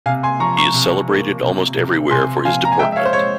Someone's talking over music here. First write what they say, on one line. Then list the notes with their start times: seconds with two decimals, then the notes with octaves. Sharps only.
He is celebrated almost everywhere for his deportment.
0.06 C3 F5 G#5
0.23 G#5 C6
0.40 F3 A#5 C#6
0.57 A#5 C#6
0.74 C3
1.08 A#3
1.43 C3
1.77 C3
2.11 C3 G#5 C6
2.45 F3 F5 G#5
2.65 A#5
2.72 G#5
2.79 G#3 E5 G5
2.92 E5
2.96 C#5 F5
3.05 C5
3.13 G#3 C#5